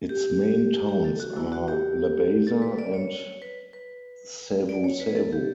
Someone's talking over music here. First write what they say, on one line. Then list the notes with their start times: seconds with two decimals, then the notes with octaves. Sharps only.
Its main towns are Labasa and Savusavu.
0.09 G4
0.89 G4
1.05 A4
1.20 F#4
1.36 E4
1.52 F#4
1.68 G4
2.47 A4
2.62 B4
2.79 D5
2.94 C#5
3.42 B4
3.73 B4
4.69 D5
4.84 C#5
5.00 B4
5.16 A4
5.32 G4